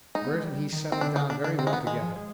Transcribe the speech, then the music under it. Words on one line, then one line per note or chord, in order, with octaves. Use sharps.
Bert and he settled down very well together.
G#3 D#4
B3
G#3
G3
D#3
C4
D3 D4
B3
D3 D4
D4
D3 C4
G#3
D#3 B3
D#3 G#3
F3
G#3